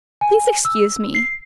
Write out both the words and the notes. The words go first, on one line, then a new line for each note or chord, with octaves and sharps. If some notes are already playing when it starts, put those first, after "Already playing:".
Please excuse me.
G#5
E6
C7